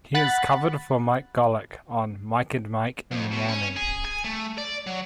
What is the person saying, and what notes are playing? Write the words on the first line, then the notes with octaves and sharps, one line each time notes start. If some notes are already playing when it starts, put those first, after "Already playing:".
He has covered for Mike Golic on "Mike and Mike in the Morning".
F#5 B5 F#6 A6
F2
B2
C#4
G#4
G#5
A3
D5
F#3